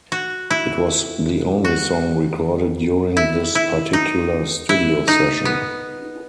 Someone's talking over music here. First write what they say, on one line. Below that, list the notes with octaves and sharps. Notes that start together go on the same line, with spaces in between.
It was the only song recorded during this particular studio session.
F#4
E4
F#4
E4
E4
D#4
E4
D#4
B3